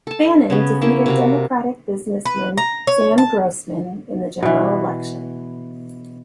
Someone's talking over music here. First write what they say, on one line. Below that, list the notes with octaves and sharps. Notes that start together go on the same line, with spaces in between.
Fannin defeated Democratic businessman Sam Grossman in the general election.
A4 A5
C#3 B3 C#4
A#3 C#4 E4 A5
C3 F#4 F5
B4
A#5
C#5
A5
B2 E3